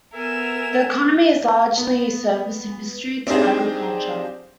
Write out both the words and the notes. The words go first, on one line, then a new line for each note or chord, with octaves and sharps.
The economy is largely service industry to agriculture.
B3 A4 A#4 E5 G#5 E7
B3
C4 D4 D#4 G4 G#4 C5